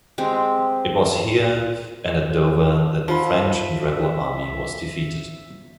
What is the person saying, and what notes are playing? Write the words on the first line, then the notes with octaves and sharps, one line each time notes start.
It was here and at Dover that the French and Rebel army was defeated.
G#3 C4 G4
F3 D#4 F4 E5 F#5 B5